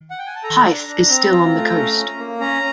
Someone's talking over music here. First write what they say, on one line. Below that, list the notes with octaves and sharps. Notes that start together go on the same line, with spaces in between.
Hythe is still on the coast.
F#5
G5
G#5
A5
A4 A#5
D4
D4
C4
F4
A3
C#4
C#4
A#3
C#4 A#5